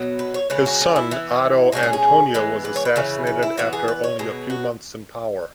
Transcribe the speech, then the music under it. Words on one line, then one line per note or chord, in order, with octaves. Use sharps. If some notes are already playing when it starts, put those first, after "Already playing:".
His son, Oddo Antonio, was assassinated after only a few months in power.
Already playing: B2 F#3 B3
B4
C#5
C#3 G#3 C#4 B4
F#4
C#4
E4
E3 B3
B2 G#3 C#4 F#4
G#4
G#4
E3 G#3 B3
B4
C#5
B4
C#3 E3 C#4
B4
E4
E3 B3 F#4
G#4
B4
C#5
B2 F#3 B3 G#4
F#4